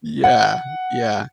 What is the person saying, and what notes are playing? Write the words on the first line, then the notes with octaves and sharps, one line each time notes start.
Yeah, yeah.
F#5